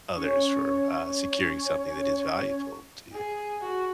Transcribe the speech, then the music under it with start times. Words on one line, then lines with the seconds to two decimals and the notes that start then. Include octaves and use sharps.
others for, uh, securing something that is valuable to you.
0.14 C#4 C#5
3.13 G#4
3.61 F#4